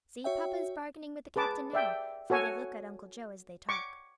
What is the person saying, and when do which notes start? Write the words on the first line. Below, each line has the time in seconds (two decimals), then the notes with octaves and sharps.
"See papa is bargaining with the captain now, for they look at Uncle Joe as they talk."
0.24 F#4 C#5 E5 G5
1.36 G#4 B4 A5 D6
1.73 D5 E5 G5
2.30 F#4 A4 C#5 G#5
3.69 C#6 D6